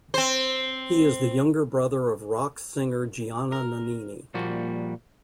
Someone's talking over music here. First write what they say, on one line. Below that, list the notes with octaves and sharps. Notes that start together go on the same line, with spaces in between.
He is the younger brother of rock-singer Gianna Nannini.
C4 C5
A#4
A#2 F3 G3 A#3 F#4